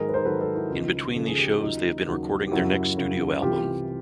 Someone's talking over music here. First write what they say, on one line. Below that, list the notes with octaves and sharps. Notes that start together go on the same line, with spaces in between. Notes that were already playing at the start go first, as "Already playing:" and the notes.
In between these shows they have been recording their next studio album.
Already playing: G#2 D#3 F#3 G#4 A#4
B4
A#4 C5
G#2 D#3 F#3 A4 B4
A4 B4
E4 F#4
C#2 C#3 F3 D#4 F4
C#2 C#3 F3 A4
G#4
G4
F#4
D#2 C#3 F#3 D#4 F4
D#2 C#3 F#3
G4
F#2 C#3 F#3 E4 F#4
F#2 C#3 F#3
C2 C3 E3 F4 G4